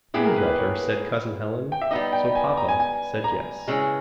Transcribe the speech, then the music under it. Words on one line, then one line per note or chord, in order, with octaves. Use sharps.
"Do let her!" said Cousin Helen, so Papa said "Yes."
A#2 G#3 B3 E4 G4 G#4
A#4
B4
B4
C#5
G5
E5
G3 B3 D#4 D#5
G5
G#5
A#5
G#5
G#5
A#5
C#3 E3 G#3